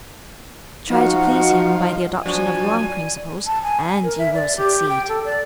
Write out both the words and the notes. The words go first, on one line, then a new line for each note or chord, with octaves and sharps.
Try to please him by the adoption of wrong principles, and you will succeed.
F3 D#4 F#4 F#5
F3 F#3 D4 D5 G#5 C#6
A5
G#5
A#4
E5
D5
G4
G5
A4
D5